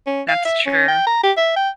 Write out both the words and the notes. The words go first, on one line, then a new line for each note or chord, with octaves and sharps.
That's true.
C#4
F5
E5
C#4
G5
A#5
G4
E5
G5